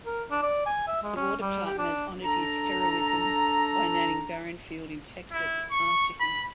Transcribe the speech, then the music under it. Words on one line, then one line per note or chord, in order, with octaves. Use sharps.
The War Department honored his heroism by naming Barron Field in Texas after him.
A#4
D4
D5
G#5
E5
G#3
C#4
G3
G4
D4
D4 A4 A#5
E4
C#6
B5